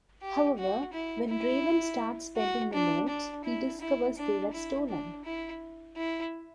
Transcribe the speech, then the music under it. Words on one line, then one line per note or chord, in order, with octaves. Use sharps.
However, when Raven starts spending the notes, he discovers they were stolen.
G4
F#4
E4
E4
F#4
D4
D4
E4
E4
D4
E4
D4
E4
E4